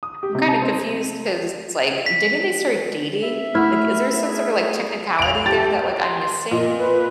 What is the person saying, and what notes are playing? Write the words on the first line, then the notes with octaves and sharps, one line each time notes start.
I'm kinda confused 'cause, like, didn't they start dating? Like, is there some sort of, like, technicality there that, like, I'm missing?
D#6
G4
C3
A5
C4
B6
E5
A3 E4 F#5 F6
G#4
F5 D7 F7
G4 A5 A6
C6
A#2 D#5
B4